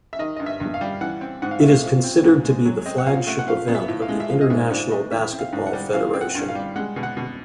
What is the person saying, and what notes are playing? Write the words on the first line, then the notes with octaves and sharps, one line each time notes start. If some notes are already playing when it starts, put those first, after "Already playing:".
It is considered to be the flagship event of the International Basketball Federation.
E5
D#3 D#5
G2 D#5
E5
G2
F5
G3
E3 F#5
C4
G#2 F#5
F5
A3 E5
F5
F3 F5
C4
G#2
G#3
F#3
C4 D#5
F#5
A#2 F5
A3 F#5
F#5
F3 F5
B3
E5
A2
F5
G#3
E5
F3 F5
D#5
G#2 E5
G#2 D5
A3 D#5
E3 E5
C4
F5
G#2
F#5
G3
E3 F5
C4
F#5
G2
F5
G3
G#3 F#5
B2
F#5
B2